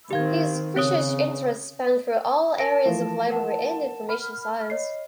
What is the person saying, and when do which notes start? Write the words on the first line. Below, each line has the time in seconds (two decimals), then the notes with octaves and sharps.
His research interests span through all areas of library and information science.
0.11 D#3 C4 G4 F5 G#6
0.76 C#3 C4 C#5 D#6
2.59 A#4 A5 A#6 D7
2.85 E3 F3 A3
3.30 A#4 F#5
4.09 B5 F6
4.70 C#5 D#5 C7